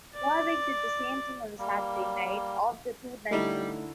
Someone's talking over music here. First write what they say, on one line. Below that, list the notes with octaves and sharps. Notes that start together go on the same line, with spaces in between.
Warwick did the same thing on the Saturday night of the two night meeting.
D5
G3 A#3
D3 G3 A3 D#4 E4 A#4